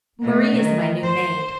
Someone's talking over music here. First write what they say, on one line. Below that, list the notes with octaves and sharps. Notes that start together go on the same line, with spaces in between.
Marie is my new maid.
B2 A3
D#3
C5